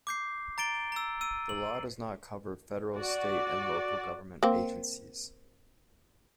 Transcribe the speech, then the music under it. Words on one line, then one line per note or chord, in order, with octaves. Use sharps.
The law does not cover federal, state, and local government agencies.
D6 G6 C7
A#5 A6 D7 G7
A#5 E6
E6 D#7
F#7
F#4 D5
A#3 C4